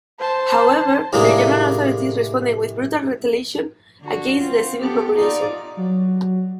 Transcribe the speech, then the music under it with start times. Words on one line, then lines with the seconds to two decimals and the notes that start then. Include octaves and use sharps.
However, the German authorities responded with brutal retaliation against the civil population.
0.19 C5 A5
1.13 A2 C3 G#3 A#3 D4 D#4
4.01 D3 F#4
4.38 C4 F4
4.80 B3 G4 A4
5.15 D#4 F4 D5
5.77 F#3